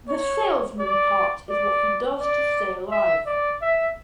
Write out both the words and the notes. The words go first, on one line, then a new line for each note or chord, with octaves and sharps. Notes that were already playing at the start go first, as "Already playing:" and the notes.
The salesman part is what he does to stay alive.
C#5
D5
D5
D5
E5
D5
E5